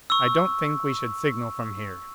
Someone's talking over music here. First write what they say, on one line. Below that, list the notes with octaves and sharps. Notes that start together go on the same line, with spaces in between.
"I don't think we should signal from here."
C#6 E6